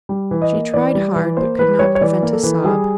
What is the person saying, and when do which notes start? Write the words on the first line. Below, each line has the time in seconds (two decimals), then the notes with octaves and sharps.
She tried hard, but could not prevent a sob.
0.09 G3
0.31 E3
0.42 D#5
0.53 A#3
0.74 E3 D5
0.95 G3
1.16 E3
1.37 A#3 C5
1.59 E3 B4
1.79 G3 C#5
1.95 C#5
2.01 E3 D5
2.23 A#3
2.32 A4
2.43 E3
2.64 G3 G#4